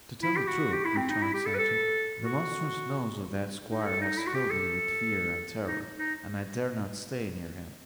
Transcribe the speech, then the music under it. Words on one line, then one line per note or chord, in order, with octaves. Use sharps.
"To tell the truth," returned Sancho, "the monstrous nose of that squire has filled me with fear and terror, and I dare not stay near him."
E4
G4
F#4
G4
E4
C4
D#4
E4
G4
A4
B4
A4
F#4
D#4
A4
D#4
E4
F#4
G4
A4
D#4
D#4